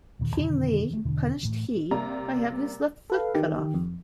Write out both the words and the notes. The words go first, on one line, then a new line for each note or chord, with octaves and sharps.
King Li punished He by having his left foot cut off.
D#1 A#2 D#3
F2 B2 D3 D#3
E3 A3
E2 B2 D3 E3
A2 E3
C3 G3 A#3 A#5
A4 B4 F5
D#3 G4
F2